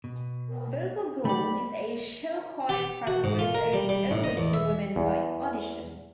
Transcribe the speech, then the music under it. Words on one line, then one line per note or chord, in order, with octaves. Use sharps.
Vocal Gold is a show choir prep group open only to women by audition.
B2
A3 D#4 D5 G5 B5
G4
F#4
G#2
F4
A#4
G3
G3
A2
D#5
E2
E5
E2